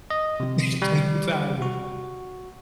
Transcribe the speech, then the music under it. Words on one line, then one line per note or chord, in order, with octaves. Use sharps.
T take your time with
D#5
C3
G3
F#4